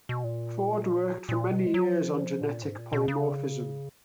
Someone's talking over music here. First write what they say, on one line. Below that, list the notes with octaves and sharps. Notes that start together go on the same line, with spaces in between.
Ford worked for many years on genetic polymorphism.
B2
A#2
A#2
B2
G#3
F#3
F3
D#3
F3
A#2
G#2
A#2
B2
C#3